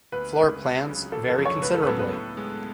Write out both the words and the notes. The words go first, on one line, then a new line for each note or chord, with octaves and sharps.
Floor plans vary considerably.
D2 B4
C#3 G#3
C#2
C#3 F#3
G#1 A4
A4
F#2 C#3 F3
C#5
C#2 B4
A4
B4
C#3 F#3 B3 A4
B4
A2
G#3 B3